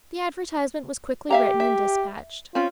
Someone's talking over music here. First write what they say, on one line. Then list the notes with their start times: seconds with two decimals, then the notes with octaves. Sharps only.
The advertisement was quickly written and despatched.
1.30 G4 E5 F5 A#5
1.60 E5
2.55 C4 C#4 F4